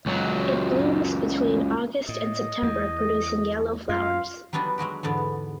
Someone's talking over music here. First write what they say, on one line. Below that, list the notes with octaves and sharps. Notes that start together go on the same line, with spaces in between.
It blooms between August and September producing yellow flowers.
C#2 F#3
A2 D#5
E2
F#2 F4 F5
F#3 G3 B3 D4 D#4
F#3 G#3 F#4 G4
E2 G#2 D3 B3